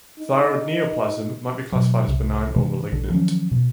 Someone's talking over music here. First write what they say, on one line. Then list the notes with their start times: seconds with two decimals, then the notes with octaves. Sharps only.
Thyroid neoplasm might be classified as benign or malignant.
0.19 D#4
1.72 B2 F#3
2.08 C2 C3
2.56 C3 E3 G#3
2.92 A#1 D3
3.10 D#3 F3 F#3 C#4
3.51 B2